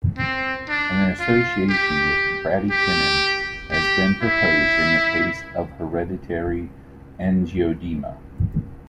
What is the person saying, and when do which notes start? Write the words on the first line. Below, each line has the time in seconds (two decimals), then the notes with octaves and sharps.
An association with bradykinin has been proposed in the case of hereditary angioedema.
0.18 C4
0.69 D4
1.20 F4
1.70 G4
2.71 G4
3.72 G4
4.22 E4